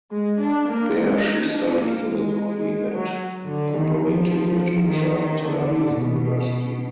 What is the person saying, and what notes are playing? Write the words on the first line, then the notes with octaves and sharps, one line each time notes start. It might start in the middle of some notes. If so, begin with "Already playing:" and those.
There she studied philosophy and comparative literature at Tel Aviv University.
G#3
D4
A#3
G#3
D#4
D4
A#3
G#3
F#3
D3
D#3
F3
D#3
D#3
D3
B2